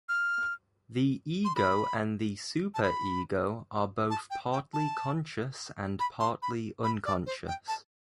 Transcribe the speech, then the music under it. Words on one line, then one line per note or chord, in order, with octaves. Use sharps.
The ego and the super-ego are both partly conscious and partly unconscious.
F6
C6
B5
A5
B5
A5
G5
G5
A5
B5
C6
B5
B5
D5
C5
G5
A5